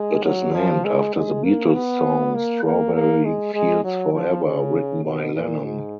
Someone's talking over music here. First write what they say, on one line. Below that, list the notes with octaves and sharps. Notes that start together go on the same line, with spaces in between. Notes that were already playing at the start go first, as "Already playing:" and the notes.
It is named after the Beatles' song "Strawberry Fields Forever" written by Lennon.
Already playing: G#3
F#3
F3
G#3
G#3
A#3
B3
A#3
A#3
A#3
G#3
G#3
F#3
F3
C#3
B2
A#2
G#2